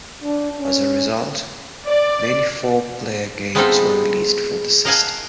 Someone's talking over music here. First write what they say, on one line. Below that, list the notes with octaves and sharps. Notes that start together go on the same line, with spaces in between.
As a result, many four-player games were released for the system.
D4
C#4
D5
G#3 B3 C4 D#4 F4 A4
A#4 D#5 F5 F#5 G#5 A5